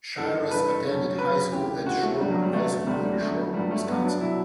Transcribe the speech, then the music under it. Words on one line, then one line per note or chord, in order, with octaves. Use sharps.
Shiras attended high school at Shorewood High School in Shorewood, Wisconsin.
G2 E3 A4
A4
G2 E3 B4
A4
F#2 D3 F#3 C#4
F#2 D3 F#3 B4
D2 C#3 E3 G4
D2 C#3 E3 F#4
A3
G2 D3 F#3 G3
F#3
G3
G2 D3 F#3 A3
D2 D3 F#3 G3
G3
D2 D3 F#3 A3
G2 F#3 G3
A3
G2 F#3 B3
D4
B2 F#3 E4